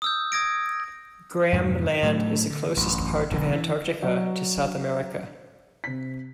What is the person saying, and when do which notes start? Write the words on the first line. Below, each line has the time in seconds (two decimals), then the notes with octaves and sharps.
Graham Land is the closest part of Antarctica to South America.
0.02 D#6 E6 G6
0.32 D#6 G#6 A#6 D7
1.53 F2 G#2 B2 D#3
2.03 A2 F#3 G3 A3
2.50 D3
2.77 A1 F#2
3.31 E1 B1 A#2 D3
3.53 E3
4.02 F#3 F#4 D5
5.84 C3 B6